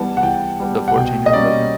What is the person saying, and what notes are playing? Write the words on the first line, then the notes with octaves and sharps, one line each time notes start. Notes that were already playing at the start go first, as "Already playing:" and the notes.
the fourteen-year-old brother?
Already playing: E3 G3 B3 A5
F#5
E3 G5
G3 B3
F#5
B2 G5
D#5
G3 A#3 C#4 D5